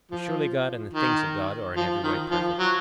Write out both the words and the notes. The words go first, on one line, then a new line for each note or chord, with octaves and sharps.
But surely God and the things of God are in every way perfect?
F3
D#3
F3
D#3
F3
F#3